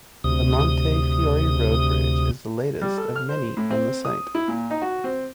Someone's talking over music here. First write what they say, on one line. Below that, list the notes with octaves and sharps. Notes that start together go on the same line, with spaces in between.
The Montefiore Road bridge is the latest of many on the site.
D2 C3 D#6
G3
A4
F6
C5
A2
C4
D#6
E4
A#2
D#4
F#4
C4